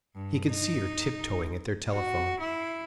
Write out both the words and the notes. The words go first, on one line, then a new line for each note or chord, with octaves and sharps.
He could see her tiptoeing at their telephone.
G2
D#4
F#4
E4